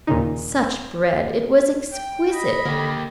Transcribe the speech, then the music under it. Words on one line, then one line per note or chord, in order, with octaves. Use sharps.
Such bread, it was exquisite!
D#2 A#2 C#3 D#4
G5
D#5 B5
D3 A#3 G4